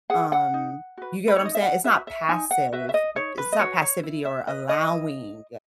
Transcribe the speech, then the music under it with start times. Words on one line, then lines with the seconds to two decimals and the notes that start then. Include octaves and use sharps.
um, you get what I'm saying? It's not passive it's not passivity or allowing,
0.10 G#4 B4 F#5
0.32 F#5
0.54 D#4
0.97 F#4 B4
1.28 B4
1.36 C#5
1.40 D#4 D#5
1.55 E5
1.63 F#5
1.84 F#4 B4 E5
2.07 E5
2.29 D#4 G#5
2.51 F#5
2.72 F#4 B4 E5
2.89 E5
2.94 D#5
3.16 D#4 C#5
3.38 B4
3.52 D#5
3.59 F#4 B4 C#5
3.82 C#5
4.03 E4
4.25 E5
4.47 B4 D#5
4.69 D#5
4.91 E4